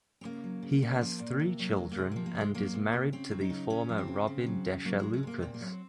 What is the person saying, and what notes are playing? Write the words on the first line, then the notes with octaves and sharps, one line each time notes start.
He has three children and is married to the former Robin Desha Lucas.
C4
C#3 A#3
F#3
C#3
A#2 A#3
F3
A#2
C3
F#3
C3
A#3
C3 G#3
F3 A#3
A#3
C3
G#3
F#3 A#3
C3
C3
C#3 C4
F#3
D#4
C#3
C#3 C#4
F3
C4
C#3
C#3
F#3
C#3
F#3 A#3
C3 G#3
G#3
C3 A#3
A#2 C4
A#3
F#3
C4